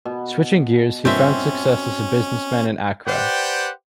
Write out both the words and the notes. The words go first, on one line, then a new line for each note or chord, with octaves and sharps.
Switching gears, he found success as a businessman in Accra.
B2
G2 A#2 C4 C#4 E5
G4 B4 C5 D5 F#5 G5